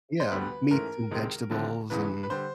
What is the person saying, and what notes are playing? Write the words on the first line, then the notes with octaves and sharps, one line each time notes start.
Yeah, meats and vegetables, and
C5
D2 D3 G3 B3 B4
G#2 E3 A3 C#4 A#4
C#2 C3 D#3 G#3 C4
D#2 D3 F3 A3 C4
F#1 E2 C#3 E3 B4
B4
D3 G3 C5